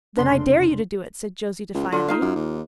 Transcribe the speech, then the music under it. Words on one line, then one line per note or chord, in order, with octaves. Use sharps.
"Then I dare you to do it," said Josie defiantly.
F1 C#3 D4 C6
C#2
D3 F4
D#4 F4 F5
F#2
D#2